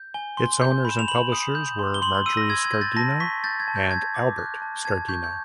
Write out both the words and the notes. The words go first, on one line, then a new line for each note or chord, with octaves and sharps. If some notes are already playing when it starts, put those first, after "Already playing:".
Its owners and publishers were Marjorie Scardino and Albert Scardino.
Already playing: G6
G#5 G7
C6 G7
G6
B5
E7
F7
B5 F#7
D#6
G6
C6
G7
C6 F#7
F#7
E6 D#7
A#6
E6 G#6
G#6
G6
A6
A5 A#6
C#6 B6
G6 A6
G#6
A5
G6
A5 G#6
D6
F#6 G6
A5
A5 G#6
C#6 G6
G6